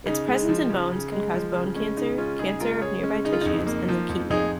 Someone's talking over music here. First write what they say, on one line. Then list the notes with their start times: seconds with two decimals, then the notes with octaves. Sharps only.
Its presence in bones can cause bone cancer, cancer of nearby tissues, and leukemia.
0.06 C#3 D#4
0.28 G#3
0.49 F3
0.70 C#3
0.91 C#3
1.12 G#3
1.34 F3
1.54 C#3
1.76 G#3 C#4
1.97 C#3 D#4
2.18 G#3 C#4 F4
2.39 C#3 D#4 G#4
2.60 G#3 F4 A#4
2.82 C#3 G#4 C#5
3.03 G#3 C#4
3.25 C#3 D#4
3.33 F4
3.41 F2 D#4
3.67 A#3
3.88 F3
4.09 F2
4.30 F2 D#4 G#4